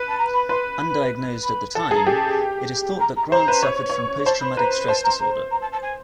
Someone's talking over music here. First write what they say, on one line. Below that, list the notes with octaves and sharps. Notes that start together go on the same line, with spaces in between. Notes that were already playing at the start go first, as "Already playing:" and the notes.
Undiagnosed at the time, it is thought that Grant suffered from post-traumatic stress disorder.
Already playing: B4
A5
A#5
B5
B4 C6
B5
B5
A4
G#4 A#5
G4 A5
A#5
A#5
C5 A#5
B4
C#5
C#5
C5 A5
B5
B4 A#5
C5 A5
A#5
A#5
A#5
A5
A5
G#5